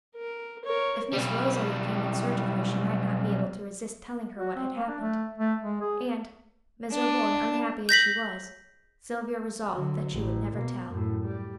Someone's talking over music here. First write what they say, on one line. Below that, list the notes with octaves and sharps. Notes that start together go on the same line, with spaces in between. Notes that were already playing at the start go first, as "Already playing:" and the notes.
If Miss Rosalie came in search of her she might not be able to resist telling her what had happened; and, miserable and unhappy as she was, Sylvia resolved that she would never tell.
A#4
A#4 C#5
B1 G3
F#4
C4
A#3
D4
A3
A3
G#3
G#4
D4
G6 A#6 B6 F#7
D3 F#3
A1
B2 A#3
F#2 A2
G3